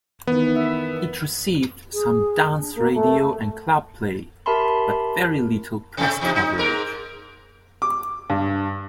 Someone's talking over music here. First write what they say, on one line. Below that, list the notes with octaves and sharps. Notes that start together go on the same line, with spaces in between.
It received some dance radio and club play, but very little press coverage.
D#3 E3 B3
E5
G#4
D4
A#3
A3
G4 A#4 E5 A5 B5 C6
C3 A3
E2 C3 D#4
D#4
G#2 A#4
D6
G2